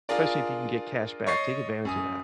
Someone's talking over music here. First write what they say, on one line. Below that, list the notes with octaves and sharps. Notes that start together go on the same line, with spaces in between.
especially if you can get cash back, take advantage of that.
D4 F4 G#4 A#4 D5
C#5 D#5 C#6 A6 C7
F#2 G#5 D#6